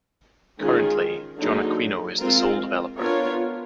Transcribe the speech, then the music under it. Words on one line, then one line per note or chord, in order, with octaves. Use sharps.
Currently, Jon Aquino is the sole developer.
D#3 G#3 C#4 F4 G#4
D3 F#3 A#3 D#4 G#4
G#3 C4 F4 A#4
B3 D4 F4 A#4 C#5